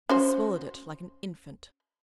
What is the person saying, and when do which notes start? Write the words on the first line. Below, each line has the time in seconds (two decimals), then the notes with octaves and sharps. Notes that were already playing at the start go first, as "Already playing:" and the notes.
He swallowed it like an infant.
0.09 C#4 F#4 C5